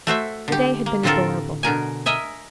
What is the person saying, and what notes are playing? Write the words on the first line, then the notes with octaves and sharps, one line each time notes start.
The day had been adorable.
A3 F#4 C5 E5
D3 G4
A#3
A2 D3 C4 F4 A4 A#4
B2 D3 A#4 G#5
A#4 D#5 E5 G#5